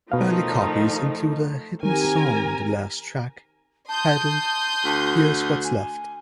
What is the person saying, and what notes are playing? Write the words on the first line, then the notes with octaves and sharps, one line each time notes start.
Early copies included a hidden song on the last track, titled Here's What's Left.
B2 D#3 F3 A3 D#4 F5
D#3 C4 G4 A#4 G#5 A#5
A5 C6 D#6 G6
D2
G#5